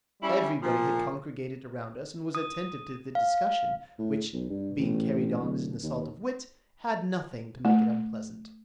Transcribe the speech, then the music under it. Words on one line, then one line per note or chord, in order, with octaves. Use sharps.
Everybody had congregated around us and was attentive to the discussion, which, being carried on as an assault of wit, had nothing to make it unpleasant.
G3 C#4 E4
A#2 F3
D#6
F5
A2
B1
G2
A1
D1
D#2
A3